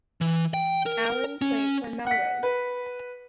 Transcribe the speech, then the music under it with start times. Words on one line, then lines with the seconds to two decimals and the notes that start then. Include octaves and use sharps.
Allan played for Melrose.
0.21 E3
0.54 G5
0.86 A#4
1.42 C#4
2.07 F#5 B6
2.43 B4